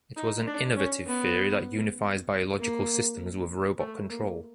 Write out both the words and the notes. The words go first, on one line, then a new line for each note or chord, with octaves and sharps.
It was an innovative theory that unifies biological systems with robot control.
D#4
D4
C#4
B3
A#3
A3
A#3